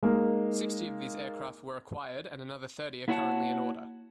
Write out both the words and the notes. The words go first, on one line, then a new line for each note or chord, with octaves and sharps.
Sixty of these aircraft were acquired and another thirty are currently in order.
G#3 A#3 D#4
A#3 E4 F#4 C#5 F#5 A5